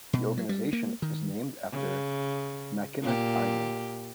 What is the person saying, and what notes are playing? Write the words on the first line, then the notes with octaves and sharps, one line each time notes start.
The organization is named after Mackinac Island.
B2
F#3
G3
A#3
D#3
C#3
A#2 G4